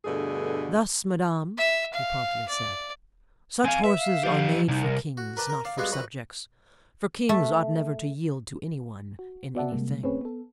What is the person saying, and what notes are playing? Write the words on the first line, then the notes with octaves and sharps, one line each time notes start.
"Thus, madame," he promptly said, "such horses are made for kings, not for subjects; for kings ought never to yield to any one in anything."
G2 B2 D3 A3 G#4
E5
F5
D5
C4 F5 G#5
B4 E5
F5
F3 G4
C2 D#4
A#4
F#4
A#4 B4 D5 G5 A5
A#4
D5 F5
G2 G#3 B3 F#4 G4 F5
A#1 F#4 B4 F#5
A3
F#4
B3 F#4 D5 E5 F#5 A5
C3 G3 G#3 A#3
A3 C4 C#4 G#4 B4 C#5
B3 A4